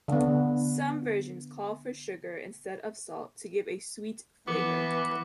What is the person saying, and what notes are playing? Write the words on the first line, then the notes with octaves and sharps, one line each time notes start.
Some versions call for sugar instead of salt to give a sweet flavor.
D3 B3
E3 B3 D6